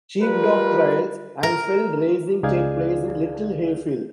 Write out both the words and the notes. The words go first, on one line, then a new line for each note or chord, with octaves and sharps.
Sheepdog trials and fell racing take place in Little Hayfield.
G3 F4 A#4 B4
A#4
C#2 D#4 G#4 D5 F5 G#6